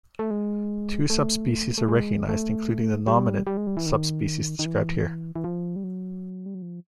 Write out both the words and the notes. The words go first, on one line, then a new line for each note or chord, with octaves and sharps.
Two subspecies are recognized, including the nominate subspecies described here.
A3
G#3
A3
A3
G#3
A3
G3
G3
G#3
G3
E3
D#3
D#3
E3
E3
F3
G3
F#3
G3
F#3
F3